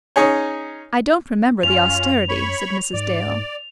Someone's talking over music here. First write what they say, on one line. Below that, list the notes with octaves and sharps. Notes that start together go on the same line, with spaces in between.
"I don't remember the austerity," said Mrs. Dale.
C#4 D#4 G#4 C#5
F#2 C#4 F4 F7
C#5 B5 C#6
G#2 D5